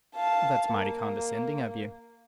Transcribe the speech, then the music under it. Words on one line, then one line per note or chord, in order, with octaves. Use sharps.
"That's mighty condescending of you!"
F5 A5
A#3